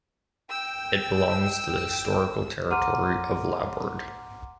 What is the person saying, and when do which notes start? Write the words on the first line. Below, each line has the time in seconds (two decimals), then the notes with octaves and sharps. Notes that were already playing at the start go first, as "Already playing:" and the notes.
It belongs to the historical territory of Labourd.
0.50 G5 E6
2.71 F#5 A#5 C6 D6 F6 D#7